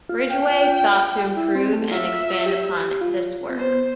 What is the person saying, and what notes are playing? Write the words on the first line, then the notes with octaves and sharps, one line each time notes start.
Ridgway sought to improve and expand upon this work.
F4
G5
E4
C4
A3
F4 E5
G4
F4
C4
B3 C5